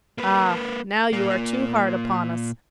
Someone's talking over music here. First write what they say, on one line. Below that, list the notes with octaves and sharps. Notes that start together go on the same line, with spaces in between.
'Ah, now you are too hard upon us!
A#3 B4
A#2 A#3